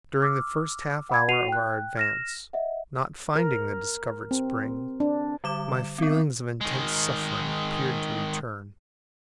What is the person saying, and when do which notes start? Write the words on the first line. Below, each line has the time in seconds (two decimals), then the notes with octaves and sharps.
During the first half hour of our advance, not finding the discovered spring, my feelings of intense suffering appeared to return.
0.22 D6 E6 F6
1.10 F#5 B5 G#6
1.28 F#4 F#5 C7 D#7 F7
1.48 G5 F#6
1.97 F6 A#6 E7
2.53 D#5 E5 F#5
3.36 A#4
4.31 C4
5.00 D4
5.44 D3 G3 D6 E7
5.98 B3 C4
6.61 D#3 G#3